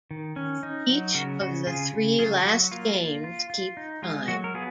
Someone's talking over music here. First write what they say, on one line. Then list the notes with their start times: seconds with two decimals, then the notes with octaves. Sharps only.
Each of the three last games keep time.
0.11 D#3
0.36 C#4
0.63 D#4
0.89 F#3
1.14 C#3 F#4 A#4
1.41 C#3 F#4
1.67 C#3 F4 G#4
1.94 C#3
2.19 F#3 F4 G#4
2.46 F#3 F#4
2.72 A#3 F4
2.98 F4
3.24 F4
3.50 F4
3.77 D#4
4.03 G#3 F4
4.28 F#3 F#4
4.44 A#4
4.54 B3 F4 G#4